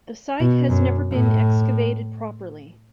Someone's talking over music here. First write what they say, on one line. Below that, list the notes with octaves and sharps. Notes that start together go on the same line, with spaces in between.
The site has never been excavated properly.
B2
F#2
A2